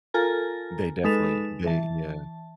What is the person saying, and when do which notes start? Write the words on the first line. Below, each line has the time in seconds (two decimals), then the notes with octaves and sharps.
They definitely they Yeah.
0.14 F4 A4 A#4 G#5 A#5
1.04 G#3 D#4 A4 B4 E7 F7
1.66 E3 A5